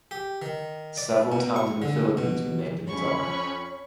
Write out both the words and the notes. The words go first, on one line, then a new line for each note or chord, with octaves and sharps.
Several towns in the Philippines were named in his honor.
G4
D#3
D5
B2
C#6
D3
B2
F2 C#4 C#5 B5 C#6